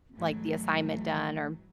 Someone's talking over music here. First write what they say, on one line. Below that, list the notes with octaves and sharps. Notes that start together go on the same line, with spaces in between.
like, the assignment done or
G#2 E3 F#3 A3